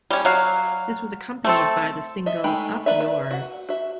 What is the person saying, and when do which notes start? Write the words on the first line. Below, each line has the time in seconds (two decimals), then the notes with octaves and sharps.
This was accompanied by the single Up Yours!
0.10 G3 C#4
0.25 F#3 F5
1.44 A3 C4 A4
2.26 D#5 E5
2.44 G#3 A3 D#4 G5 B5
2.86 A#3 B4 D5 E5
3.00 B4 E5
3.31 F#4 F#5
3.69 F#4 E5